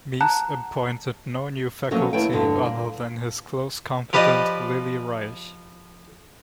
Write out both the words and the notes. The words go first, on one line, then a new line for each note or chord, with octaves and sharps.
Mies appointed no new faculty other than his close confidant Lilly Reich.
F#5 A5 A#5 F#6
F3 F#3 A3 A#3 C#4 F#4
D#2 A3 E4 B4 C#5 G5
E2 G2 D3 F3
A#2
F3 G4 B4 C5 D5 D#5